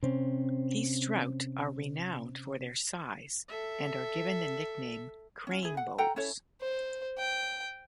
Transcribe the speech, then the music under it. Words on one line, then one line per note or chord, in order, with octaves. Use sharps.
These trout are renowned for their size and are given the nickname "cranebows".
C3 C4 C#4
A4 E5
C#4 F4
E4 G#4
F#5
A4 F#5 G5 A#5
C#4 E4 A4 C#5
C5
G5